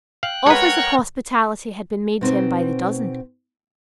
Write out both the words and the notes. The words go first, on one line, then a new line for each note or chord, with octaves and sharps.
Offers of hospitality had been made to him by the dozen.
F5 G5 F#6
G#3 A#4 B4 C#5 F#5
B2 C4 D#4 C5